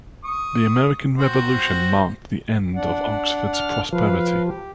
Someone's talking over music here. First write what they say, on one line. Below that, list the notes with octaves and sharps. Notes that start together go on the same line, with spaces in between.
The American Revolution marked the end of Oxford's prosperity.
C#6 D#6
C4 F#4 C5
D4 D5 F#5
F6
F3 B4 F5
G4